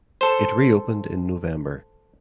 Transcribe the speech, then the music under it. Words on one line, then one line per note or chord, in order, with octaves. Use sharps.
It reopened in November.
A4 C5